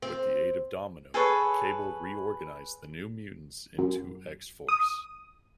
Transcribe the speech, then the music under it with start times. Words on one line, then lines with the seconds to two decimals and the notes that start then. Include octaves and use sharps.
With the aid of Domino, Cable reorganized the New Mutants into X-Force.
0.02 C4
1.14 G#4 A4 B4 C#5
3.78 F#2
4.68 D#6